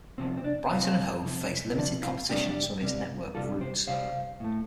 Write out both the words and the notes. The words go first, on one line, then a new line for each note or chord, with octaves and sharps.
Brighton and Hove face limited competition on some of its network of routes.
C2 C3 F3 C4
C4
D4
C2 C3 F3 C4 F4
C2 C3 F3
C4
C2 C3 F3 D4
C4 F4
C2 C3 G3 D4 G4
C2 C3 G3
C2 C3 G3 F4 A4
G4 C5
C2 C3 G3 C5 F5
A2 A3